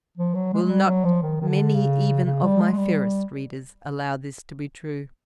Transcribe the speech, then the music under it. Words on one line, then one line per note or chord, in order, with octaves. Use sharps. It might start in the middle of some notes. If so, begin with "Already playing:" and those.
Will not many even of my fairest readers allow this to be true?
F3
F#3
G#3
G#3
G3
F#3
F3
D#3
D#3
D3
C#3
C#3
G3
G#3
G#3
G3